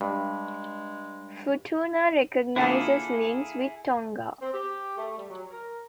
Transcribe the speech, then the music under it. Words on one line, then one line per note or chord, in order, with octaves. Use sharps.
Futuna recognizes links with Tonga.
G2 G#3
D3 F3 A#3 E4 G#4 A4
C4
G4
A3
G3
F#3
A#4